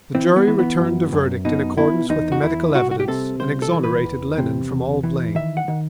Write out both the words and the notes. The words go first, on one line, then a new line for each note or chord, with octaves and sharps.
The jury returned a verdict in accordance with the medical evidence and exonerated Lennon from all blame.
E3 C4
B3
E3
B3
F#2
F#2
B2 D#4
B2 E4
E2 D#4
F#4
E2 E4
C2 F#4
F#4
G4
C3 A4
C2 C5
A4
E3
B4
E2
C3
E2
E3
D#3 E5
F#5
D#3